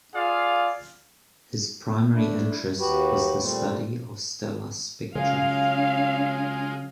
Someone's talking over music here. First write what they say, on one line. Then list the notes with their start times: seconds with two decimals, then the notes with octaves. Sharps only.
His primary interest was the study of stellar spectra.
0.14 F4 G#4 D5 F5
2.14 A3 D4 E4
2.80 D#2 F#4 G4 B4
3.40 A#2 G3 A3 C4
5.15 C#3 F#3 G#3 C#4 F4 F5